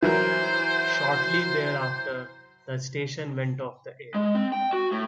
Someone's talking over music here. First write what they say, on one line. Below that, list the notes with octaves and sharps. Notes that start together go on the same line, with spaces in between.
Shortly thereafter, the station went off the air.
E3 F#3 A#4 C5
G#3
C4
G5
F#4
A2